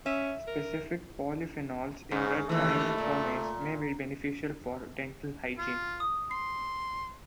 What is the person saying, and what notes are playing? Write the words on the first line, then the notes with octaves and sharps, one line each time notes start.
Specific polyphenols in red wine pomace may be beneficial for dental hygiene.
C#4 E5
A#4
G#2 C#3
D#2 E3 A3
A#2
F4
D#6
C6 C7